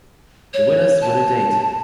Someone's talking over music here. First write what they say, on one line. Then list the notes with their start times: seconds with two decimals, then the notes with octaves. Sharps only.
The winners win a date.
0.54 C#5
1.01 A5